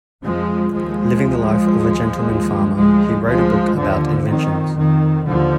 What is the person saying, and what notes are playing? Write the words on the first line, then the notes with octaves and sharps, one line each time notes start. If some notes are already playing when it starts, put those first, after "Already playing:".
Living the life of a gentleman farmer, he wrote a book about inventions.
F2 F3 G#3
D#2 F3 G#3
D2
D#2
D#2
D2 F3 G#3
D2 F3 G#3
D#2 D3 F3
F2 D#3
F2 D#3
D#2 D3 F3